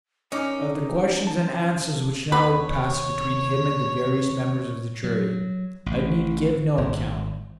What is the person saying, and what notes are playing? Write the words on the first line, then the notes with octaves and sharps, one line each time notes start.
Of the questions and answers which now passed between him and the various members of the jury I need give no account.
C#4 D#4 D#5 D6
A5
D#2 B4 C#5 B5
F#3
A1
G#1